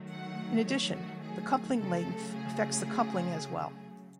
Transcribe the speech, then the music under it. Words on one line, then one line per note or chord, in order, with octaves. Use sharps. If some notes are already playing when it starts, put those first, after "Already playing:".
In addition, the coupling length affects the coupling as well.
Already playing: D#3 F#3 A3
F#5
C#5
F#4
G#4
C#3 F#3 A3 A4
G#4